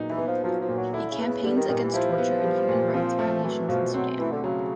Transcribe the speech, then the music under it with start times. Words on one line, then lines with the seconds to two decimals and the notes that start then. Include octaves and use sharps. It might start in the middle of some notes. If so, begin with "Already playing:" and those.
He campaigns against torture and human rights violations in Sudan.
Already playing: A#2 F#3 B3 D#4
0.10 E3
0.18 B3
0.27 F3
0.43 F3 F#3
0.60 F3
0.69 A#2
0.77 F#3
0.93 D3 E4
1.10 C#3
1.19 B3
1.26 C#3
1.44 D3 G3
1.56 D#3
1.69 A#2 D#3
1.82 E3
1.94 F3 E4
2.18 B3
2.43 G3
2.69 A#2
2.94 F3 C4
3.19 A3
3.43 E3 F#3
3.68 B2 F3
3.94 F#3 C4
4.19 E3 A3
4.31 D3
4.44 C#3 F#3